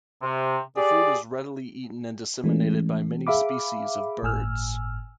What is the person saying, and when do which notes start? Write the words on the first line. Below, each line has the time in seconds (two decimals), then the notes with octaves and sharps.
The fruit is readily eaten and disseminated by many species of birds.
0.22 C3
0.76 G4 G#4 D5
2.44 E3 G#3 A3 C#4
3.27 G#4 E5 F5 B5 D6
4.23 G1 A2 G#5 E6 F6